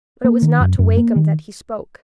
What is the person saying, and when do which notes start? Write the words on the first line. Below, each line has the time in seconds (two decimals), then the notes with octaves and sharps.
But it was not to Wakem that he spoke.
0.24 A#3
0.42 D#3
0.60 F#2
0.79 F#2
0.97 A#3
1.16 D#3